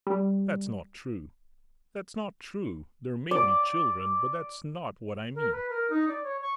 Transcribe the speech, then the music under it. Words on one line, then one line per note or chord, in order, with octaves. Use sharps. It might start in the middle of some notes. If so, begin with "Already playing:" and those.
"That's not true, that's not true; there may be children, but that's not what I mean."
G3
D5
A#4
B4
A#4
D#4
D5
C#5
C#6